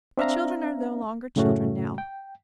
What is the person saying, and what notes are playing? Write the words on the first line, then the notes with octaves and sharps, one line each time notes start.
The children are no longer children now.
C4 D4 E5 F5 A#5
F#2 A2 C#3 A3 C#4 F#4
G5